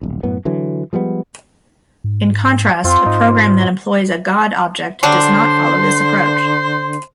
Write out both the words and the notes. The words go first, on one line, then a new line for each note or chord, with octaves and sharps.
In contrast, a program that employs a God object does not follow this approach.
D#1 B1
F#2 A2 B3
D3 E3 F#3
F3 G3 G#3 B3
G#2
F2 C4 F4 C5
G#2 D#4
D3 F#3 G3 D4 C5 C6